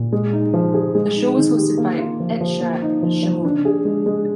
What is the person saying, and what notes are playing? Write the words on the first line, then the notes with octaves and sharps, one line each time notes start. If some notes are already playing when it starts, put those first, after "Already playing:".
The show was hosted by Itzhak Shimoni.
Already playing: A#2
G#3
D#4
F3
G#4
G#3
D#4
D#3
G4
A#3
F4
F3
F3
A#3
D#4
F3
F3
D4
G#4
G#3
G#3